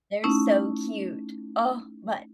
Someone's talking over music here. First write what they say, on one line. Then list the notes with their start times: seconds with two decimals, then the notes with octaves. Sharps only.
They're so cute. Oh, but
0.24 A3 C#4 D#4 E4